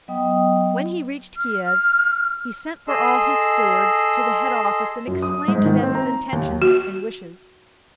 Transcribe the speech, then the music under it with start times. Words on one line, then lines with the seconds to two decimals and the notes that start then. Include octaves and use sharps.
When he reached Kiev he sent for all his stewards to the head office and explained to them his intentions and wishes.
0.08 F#3 B3 D#5 G5 D#6
1.37 F6
2.88 G#4 A4 D#5 C6 E6
5.07 F#2
5.22 D#6
5.48 G#2
5.66 D#3
5.83 C4
5.95 A#5
6.33 D#2
6.62 F#4